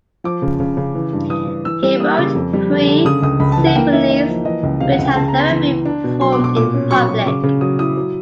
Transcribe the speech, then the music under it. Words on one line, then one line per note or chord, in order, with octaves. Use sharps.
He wrote three symphonies which have never been performed in public.
F3 D6
C#3
C#3
C#3
E3
G2
E3 D#6
E3
E3 E6
G3 E6
A#3 D#6
C#3 D6
F2
G3
D3
D3
C#3 D#6
C#2 D#6
C#2 B5
A5
E3
F#5
A#3 G5
D#4 E5
A#3 D#5
F3
E3 D#5
C#2
C3 F5
F#5
C#2
G5
C#3 A5
B3 A#5
C6
E3
E3
D4
B2
F#3 C6
D6
B2
D6
A#2 D6
C#4
F#3 C#6
F#3
C#3 D6
C#3
F#3 D#6
E4 D#6
F#3